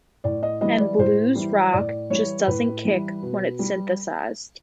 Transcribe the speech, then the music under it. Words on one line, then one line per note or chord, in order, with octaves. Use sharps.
And blues-rock just doesn't kick when it's synthesized.
A2 D5
D#5
E3 G3 D#5
D5
A2 C5
E3 G3
A2 D5
E3 G3 C#5
A2 B4
E3 G3
B2
G3